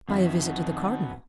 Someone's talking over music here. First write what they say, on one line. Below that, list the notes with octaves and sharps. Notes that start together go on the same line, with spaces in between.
"By a visit to the cardinal."
F2 B2 D#3 F#3 C4 D4 E5